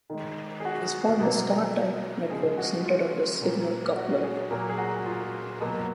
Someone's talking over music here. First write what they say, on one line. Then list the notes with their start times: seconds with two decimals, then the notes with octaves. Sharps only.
This formed a star-type network centered on the signal coupler.
0.10 D#3 G#3
0.60 G#4
0.65 F#4
1.19 B2 F#3 A#3
2.30 C#3 F3 G#3 G#4
2.57 F#4
2.85 F4
3.40 A#2 F#3 A#3
3.96 F#4
4.23 G#4
4.50 A#2 F#3 A#3 A#4
4.69 G#4
4.78 F#4
5.06 F4
5.60 B2 F#3 A#3